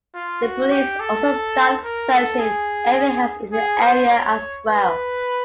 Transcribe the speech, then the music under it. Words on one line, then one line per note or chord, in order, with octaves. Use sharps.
The police also start searching every house in the area as well.
F4
F#4
G4
A4
A#4
A4
G#4
G#4
C5
C#5
B4